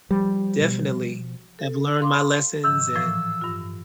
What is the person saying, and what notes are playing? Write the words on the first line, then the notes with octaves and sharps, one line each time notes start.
definitely have learned my lessons and
F3 G3
B2
A4
F5 C6 D6
G#2 D#3 F3 E6
A2 E3 F3
G2 F4